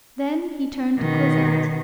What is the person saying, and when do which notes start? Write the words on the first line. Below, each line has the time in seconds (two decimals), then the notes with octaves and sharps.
Then he turned to Cosette.
0.98 B2 D#3